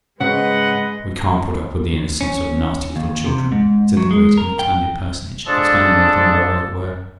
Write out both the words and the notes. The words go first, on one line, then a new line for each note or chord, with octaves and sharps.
"We can't put up with the innocence of nasty little children," said the great and expanded personage, expanding a little more, as it were.
G#2 C#3 G#3 B4 D#5 F#5
C#4
D#2
C3
G#2
F#3
G#3
A#4
G5
F3 G#3 D4 A4